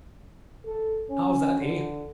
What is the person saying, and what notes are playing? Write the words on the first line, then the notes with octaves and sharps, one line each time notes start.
How's that, eh?
A4
C#4
D3